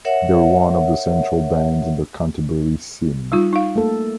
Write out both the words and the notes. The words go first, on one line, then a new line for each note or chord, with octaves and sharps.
They were one of the central bands in the Canterbury scene.
A#4 C#5 E5 F#5
G3 D#4 F4
D#4 F5
A3 A#3 A4